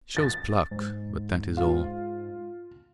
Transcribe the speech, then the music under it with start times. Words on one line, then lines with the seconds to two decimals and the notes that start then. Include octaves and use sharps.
It shows pluck, but that is all.
0.17 A6
0.71 G#2
1.57 F4